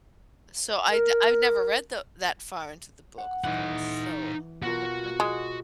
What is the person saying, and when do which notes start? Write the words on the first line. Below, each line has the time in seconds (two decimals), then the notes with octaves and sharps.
So I d I've never read the that far into the book, of course, so I wouldn't know.
0.91 A#4
3.18 F#5
3.44 E3 D#4 F#5
4.62 B2 F4 F#4 A#4
5.20 G#3